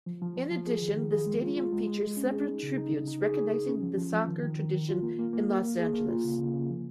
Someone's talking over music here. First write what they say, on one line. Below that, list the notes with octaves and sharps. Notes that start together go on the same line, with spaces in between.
In addition, the stadium features several tributes recognizing the soccer tradition in Los Angeles.
F3
F3
F3
F3
G#4
D#3
D#3
G#4
G#3
F4
F4
G#3
G#3
G#3
C#4
G#4
D#4
C#3
D#4
C#3
D#4
G#4
G#4
G#4
C#4
F3
F3
F3
D#3
D#3
D#3
D#3
F4
A#3
A#3
A#3
A#3
A#3
G#4
A#3
F4
C#3
C#3
C#3
F3